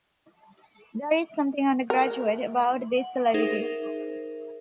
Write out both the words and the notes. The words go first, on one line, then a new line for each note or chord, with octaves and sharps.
There is something undergraduate about this levity.
A#4
F#5
D#4 G#4 A#4 C5 E5